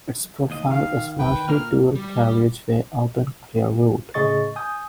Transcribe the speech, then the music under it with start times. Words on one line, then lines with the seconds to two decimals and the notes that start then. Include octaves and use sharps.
Its proflie is largely dual carriageway urban clear route.
0.50 D#2 D#5
0.71 D#3 F5
1.19 B4 G5
1.48 A#2 A#3 A#4 F6
1.95 G3
4.14 A2 C#3 G#4 D#5 C#6 A6
4.56 G#5 D#6 G6